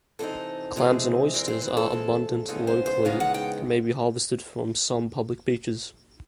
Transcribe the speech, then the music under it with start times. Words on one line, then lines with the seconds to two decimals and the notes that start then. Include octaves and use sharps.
Clams and Oysters are abundant locally and may be harvested from some public beaches.
0.19 C3 E3 G#3 C4 D#4 A4
0.76 C3 E3 G#3 C4 D#4
1.34 G2 E3 G#3 C4 A#4
1.48 C5
1.62 B4
1.77 A4
1.91 G2 E3 G#3 C4
2.48 C#3 E3 G#3 B3 D#4 A4
2.67 C5
2.86 C5
3.05 C#3 E3 G#3 B3 D#4 F5
3.20 F#5
3.34 G5